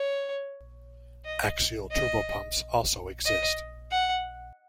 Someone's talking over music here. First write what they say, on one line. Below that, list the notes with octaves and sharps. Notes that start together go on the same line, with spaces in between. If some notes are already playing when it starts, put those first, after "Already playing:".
Axial turbopumps also exist.
Already playing: C#5
D#5
D#5
D#5
F#5